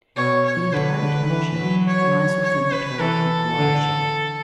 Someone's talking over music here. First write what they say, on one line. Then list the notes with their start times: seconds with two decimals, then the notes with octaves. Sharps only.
The entire township lies within the Turtle Creek Watershed.
0.16 B2 C#5
0.46 C#5
0.73 D3 B4
1.02 D3
1.30 E3
1.59 F#3
1.87 C#5
2.43 C#5
2.72 B4
3.00 E3 A4
3.57 D3